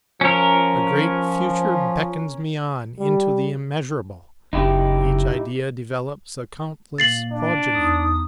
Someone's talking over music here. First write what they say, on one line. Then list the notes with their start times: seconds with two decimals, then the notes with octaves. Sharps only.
A great future beckons me on into the immeasurable; each idea develops a countless progeny.
0.21 F3 C#4 A#4
2.99 G3
4.53 F#1 D#4 E4 G4
6.98 A#2 A#3 A6 C7 F#7
7.31 D4
7.74 E2 D#4 D#6